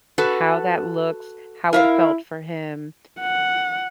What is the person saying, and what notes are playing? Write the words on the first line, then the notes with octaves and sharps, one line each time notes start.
How that looks, how it felt for him,
F#4 A4 B4
E4 A#4 E5 F5
F#5